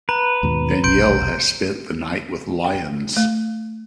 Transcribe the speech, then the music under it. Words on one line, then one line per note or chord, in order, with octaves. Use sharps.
Danielle has spent the night with lions.
B4 A#5
D#2 G#2 B2
F1 B1 C6 G6 D7
G5
A3